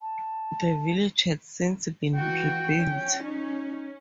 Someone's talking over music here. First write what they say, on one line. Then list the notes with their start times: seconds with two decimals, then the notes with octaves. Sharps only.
The village had since been rebuilt.
0.01 A5
2.16 E3 F#4 G5
2.77 C#4
3.23 D#4